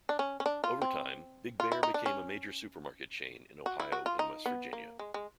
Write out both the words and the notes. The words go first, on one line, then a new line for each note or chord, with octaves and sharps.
Over time, Big Bear became a major supermarket chain in Ohio and West Virginia.
D4
C#4
C#4
D4
F4
C4
F4
E4
D#4
D4
C#4
F#4
E4
F#4
F4
D#4
B3
A#3
G#3
G#3